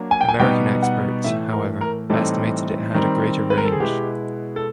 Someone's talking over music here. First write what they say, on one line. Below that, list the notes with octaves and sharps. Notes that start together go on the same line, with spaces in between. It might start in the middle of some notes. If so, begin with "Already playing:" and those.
American experts, however, estimated it had a greater range.
Already playing: F#3 A#3 D4
G#5
G5
G#5
B2 G3 B3 D#4 G5
F#5
A2 E3 A3 E5
A#4
A#4
A2 E3 G3 C4 D#4 A4
D#3 G3 C4
B4
A#4
A4
G#4
B2 G#3 B3 E4 G4
A4